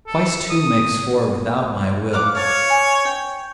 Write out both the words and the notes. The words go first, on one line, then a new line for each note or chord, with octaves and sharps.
Twice two makes four without my will.
A4
D#6
F5 F#5 D6
C#5 F5 A5
G#5
G5